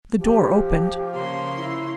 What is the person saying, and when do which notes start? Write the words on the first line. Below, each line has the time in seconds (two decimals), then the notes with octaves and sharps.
The door opened.
0.20 F3 G4
1.14 C#3 A#3 C6
1.57 E4